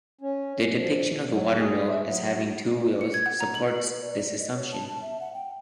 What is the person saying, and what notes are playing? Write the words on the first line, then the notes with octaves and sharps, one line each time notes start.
The depiction of the watermill as having two wheels supports this assumption.
C#4
F3
F#3
G#4
E5
F#3
C#7
G#6
F#5
A#5
F#7
B4
D5
D5
D#5
C#5
A5
A5
E5
F#5
G5